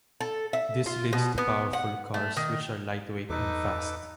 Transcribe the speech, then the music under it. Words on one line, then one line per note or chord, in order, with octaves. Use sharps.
This leads to powerful cars which are lightweight and fast.
A4
E5
F4
B2
B3
F#5
A3
D#3
E2 D#4 A4 B4 D6